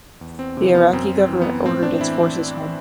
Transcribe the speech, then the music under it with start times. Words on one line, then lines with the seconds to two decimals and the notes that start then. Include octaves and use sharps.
The Iraqi government ordered its forces home.
0.21 E2
0.39 C4
0.57 C3 E3 C4
0.75 B3
0.93 F#2 C4
1.17 C4
1.29 E3
1.42 B3
1.66 A2 C4
1.83 D4
2.01 E3 E4